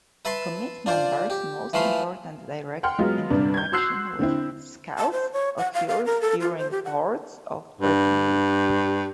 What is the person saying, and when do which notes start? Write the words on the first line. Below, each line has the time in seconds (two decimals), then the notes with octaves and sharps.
Committee members most important direct interaction with Scouts occurs during boards of review.
0.25 B4 E5 A5 B5 C6
0.86 D4 F4 C5 D5
1.30 G4
1.73 E3 F3 A3 F5 B5 C6
2.83 F#5 G5 C6 F6
2.99 F#3 G#3 B3 F4
3.30 G2 C3 D4 B4
3.54 G6 G#6
3.72 F#4 C6 E6 F#6 C7
4.19 D3 C4 E4
4.97 A5
5.12 C5
5.33 C#5
5.58 F#5
5.74 F5
5.88 F5
6.06 A#4
6.22 A4
6.41 F4
6.58 C5
6.71 G4
6.85 F#5
7.81 G2